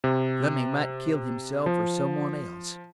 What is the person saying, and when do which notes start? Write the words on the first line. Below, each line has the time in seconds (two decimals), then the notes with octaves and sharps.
Fleming might kill himself or some one else.
0.04 C3
1.66 F3